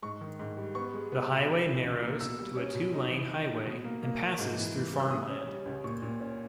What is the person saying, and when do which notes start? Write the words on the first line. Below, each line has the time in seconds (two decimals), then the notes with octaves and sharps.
The highway narrows to a two-lane highway and passes through farmland.
0.02 G#2 C#6
0.21 D#3
0.39 G#2
0.57 G3
0.75 B3 C#6
0.94 G#3
1.12 B3
1.30 B2
1.48 E3
1.67 E3
1.84 C#2
2.02 A#3
2.21 B2 E6
2.39 G3
2.57 C#4
2.75 B2
2.94 D#4
3.12 E3
3.30 D#4
3.47 D#4
3.66 B2
3.84 A#3
4.02 A#3
4.20 A#3
4.38 G#2
4.57 E3
4.75 E3
4.93 G3
5.00 E6
5.11 C#3 D#6
5.29 C#4
5.47 G3
5.66 C#2
5.84 A#2 C#6
6.02 A#2
6.20 C#4